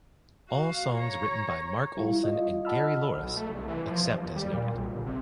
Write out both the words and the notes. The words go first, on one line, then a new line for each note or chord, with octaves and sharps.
All songs written by Mark Olson and Gary Louris except as noted.
F#4 F5
C#5 A#5
G3 E4 F4
F4 D#5
D#5 F#5 A5 B5 E6 F6
B1
A3
C2
E3
F3
G2
D#2
G3
A#2
B1
G1
C3